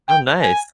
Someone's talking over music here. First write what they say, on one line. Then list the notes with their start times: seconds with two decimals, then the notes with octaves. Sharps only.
Oh, nice.
0.09 G5
0.41 G#5